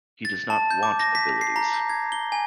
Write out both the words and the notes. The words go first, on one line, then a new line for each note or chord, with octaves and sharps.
He does not want abilities.
A6
A5
G6
D6
A#6
B6
C7
A#5
G6
G#6
G7
G#5